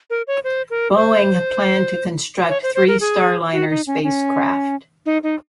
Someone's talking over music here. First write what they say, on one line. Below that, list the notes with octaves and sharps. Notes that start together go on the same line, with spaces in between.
Boeing planned to construct three Starliner spacecraft.
A#4
C#5
C5
A#4
C5
C#5
C5
C5
A#4
G#4
F#4
D#4
C#4
C#4
D#4
D#4